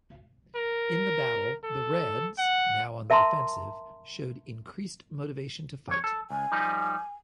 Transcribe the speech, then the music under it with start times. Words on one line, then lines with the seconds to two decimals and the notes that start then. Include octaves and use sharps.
In the battle, the Reds, now on the defensive, showed increased motivation to fight.
0.56 A#4
1.64 A4
2.38 F#5
3.10 A#4 E5 A5 A#5 C6
5.88 F2 C#5
6.04 A4
6.30 C#2 G#5
6.52 F3 G3 D#4